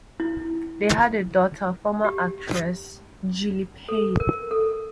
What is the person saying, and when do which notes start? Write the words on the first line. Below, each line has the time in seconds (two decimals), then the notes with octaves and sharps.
They had a daughter, former actress Julie Payne.
0.20 E4
2.04 G4
3.89 A4
4.20 A#4
4.51 A4